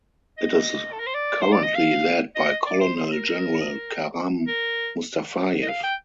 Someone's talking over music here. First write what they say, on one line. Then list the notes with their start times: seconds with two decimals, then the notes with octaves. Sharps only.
It is currently led by Colonel General Karam Mustafayev.
0.38 D#5
0.92 A4
0.99 A#4
1.06 C5
1.14 D5
1.41 C5
1.52 D5
1.63 D#5
1.75 F5
2.35 D#5
2.66 D5
2.81 C5
2.96 C5
3.11 A#4
3.27 A#4
4.48 A#4
5.62 D#5
5.68 F5
5.83 G5